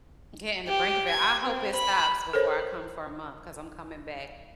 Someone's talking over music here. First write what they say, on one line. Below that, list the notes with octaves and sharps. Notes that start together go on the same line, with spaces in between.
Getting the brink of it, I hope it stops before I come for a month, 'cause I'm coming back
G4
G#6
C4
B5
A4 A#4 C5 C#5